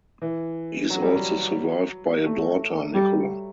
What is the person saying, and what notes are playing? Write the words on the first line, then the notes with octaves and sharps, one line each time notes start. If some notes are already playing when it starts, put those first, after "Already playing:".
He is also survived by a daughter, Nicola.
E3
F#3
G3
F#3
A3
G3